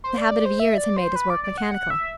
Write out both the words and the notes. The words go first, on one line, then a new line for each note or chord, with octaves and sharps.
The habit of years had made his work mechanical.
C5
D5
D5
C5
E5
D5
C5
B4
D5
D5
F#5
F#5
E5